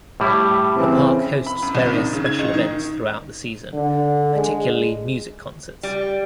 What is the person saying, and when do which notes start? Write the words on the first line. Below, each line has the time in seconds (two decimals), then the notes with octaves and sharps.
The park hosts various special events throughout the season, particularly music concerts.
0.20 A2 G3 E4
0.75 C#3 E3 C4
1.47 B5
1.63 F#2
1.75 C2
1.93 D#3
2.13 C#3
2.26 G#6
2.39 A1
2.54 D#3
3.73 D3
4.35 G#3
5.83 G3